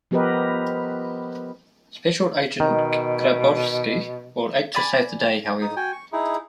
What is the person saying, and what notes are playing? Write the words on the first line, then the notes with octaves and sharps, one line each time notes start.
Special Agent Grabowsky will act to save the day, however.
F3 B3 G4 A#4 B4 D#5
B2 D#3
D5 G#5 B5
D#4 D#6
F#4 G5 G#5
C#6
D#4 E4 G#4